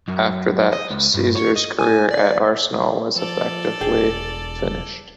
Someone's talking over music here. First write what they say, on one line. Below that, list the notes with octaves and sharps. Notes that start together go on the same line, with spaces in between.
After that, Caesar's career at Arsenal was effectively finished.
F#2
D#5
C#2
G2
C#5
D#5
G#5
D5
F3 A4 D5
E1 G#4 G5